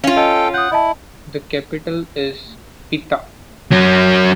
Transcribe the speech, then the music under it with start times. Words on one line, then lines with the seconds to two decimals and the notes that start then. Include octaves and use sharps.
The capital is Pita.
0.04 C#4 F4 F5
0.17 A4 D#5 G5
0.54 F#5 D#6 G6
0.72 E4 D#5 A5
3.72 F#3 C#4